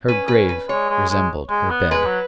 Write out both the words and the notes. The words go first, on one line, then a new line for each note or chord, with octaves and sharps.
Her grave resembled her bed.
C#4 B4
B4
B4
G#3 C#5
G#3
G#3
G#3
B3
G#3 B4
F#3